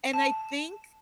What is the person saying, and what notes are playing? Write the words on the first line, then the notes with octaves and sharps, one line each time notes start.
and I think
A5